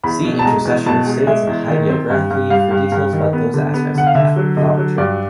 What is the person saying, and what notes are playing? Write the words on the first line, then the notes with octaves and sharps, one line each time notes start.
See Intercession of saints and Hagiography for details about those aspects of Catholic doctrine.
E2 B5
B2
A5
G#3 A#5
E2
B2 A5
G#3
G#3 E5
E2
D#3
C4
G2
G2
G3 F5
G2
G2
D#3
B3
D3
B3
D3 F#5
F5
D3 E5
F#3
D3 D#5
F#3
G2 D5